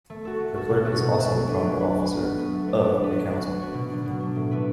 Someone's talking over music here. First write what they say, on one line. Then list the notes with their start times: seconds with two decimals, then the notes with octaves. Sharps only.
The clerk is also the "Proper Officer" of the Council.
0.10 A3
0.25 F#4 A4
0.40 A3
0.55 F#4 A4
0.70 B2
0.85 A3 F#4 A4
1.01 B2
1.16 A3 F#4 A4
1.31 F#3
1.46 D4 B4
1.62 F#3
1.77 D4 B4
1.92 F#3
2.07 B3 F#4
2.22 F#3
2.38 B3 F#4
2.53 A3
2.68 D4 B4
2.83 A3
2.99 D4 B4
3.14 F#3
3.28 D4 F#4 B4
3.45 F#3
3.59 D4 F#4 B4
3.74 B2
3.90 F#3 D4
4.06 B2
4.20 F#3 D4
4.36 A2
4.51 A3 D4 B4